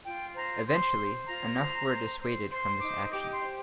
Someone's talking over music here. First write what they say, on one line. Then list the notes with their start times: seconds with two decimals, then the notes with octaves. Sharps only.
Eventually, enough were dissuaded from this action.
0.04 F4 G5
0.35 C5 A#5
0.66 C5 C6
0.97 C5
1.27 F4 A#5
1.59 C5
1.89 C5
2.19 C5
2.50 C5 C6
2.81 D#4 D6
3.12 G4 D6
3.32 C6
3.42 C5